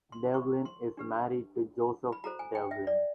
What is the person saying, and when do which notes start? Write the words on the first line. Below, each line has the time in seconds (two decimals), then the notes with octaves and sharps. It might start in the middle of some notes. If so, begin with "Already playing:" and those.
Devlin is married to Joseph Devlin.
0.12 C6
0.34 C#6
0.65 C6
0.97 D4 G4 B4
2.12 B5
2.24 F#4 A4 C5 A#5
2.39 G#5
2.55 G5
2.71 E5
2.87 D5